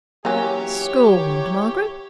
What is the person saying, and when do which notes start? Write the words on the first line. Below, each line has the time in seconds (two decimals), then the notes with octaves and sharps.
'Scorned, Margaret!
0.25 E3 F#3 A#3 C#4 G4 C#5